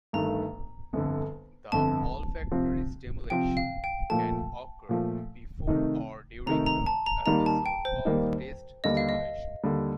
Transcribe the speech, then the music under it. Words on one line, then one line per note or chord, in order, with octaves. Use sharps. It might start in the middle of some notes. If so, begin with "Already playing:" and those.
The olfactory stimulation can occur before or during the episode of taste stimulation.
G1 G2 D#3 A3 A#5
G1 F2 D3
G1 F2 D3 A5
C3 F3 C4
C3 F3 C4 G5
F5
G5
A#2 F3 A3 A5
A#2 F3 A3
C3 D#3 A3 D#4
C3 D#3 A3 D#4 A#5
A#5
A5
A#5
D#2 D#3 G3 A#3 D#4 A#5
A5
G5
C5
D#2 D#3 G3 A#3 D#4
D#2 D3 G3 D#5
F5
D#5
D#2 D3 G3